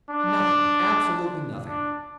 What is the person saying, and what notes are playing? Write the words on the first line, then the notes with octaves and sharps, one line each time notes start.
Nothing--absolutely nothing.
D4
D4